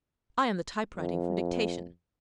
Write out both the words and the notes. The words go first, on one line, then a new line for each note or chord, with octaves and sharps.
'I am the typewriting from dictation.
F2